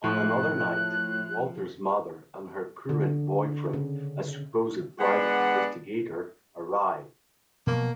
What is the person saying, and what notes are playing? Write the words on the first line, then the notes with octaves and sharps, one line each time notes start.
On another night, Walter's mother and her current boyfriend, a supposed "private investigator", arrive.
A2 F3 F#6
D3
C#3
G#3 B3 D4 D5 F#5
B2 F3 F#3 A#3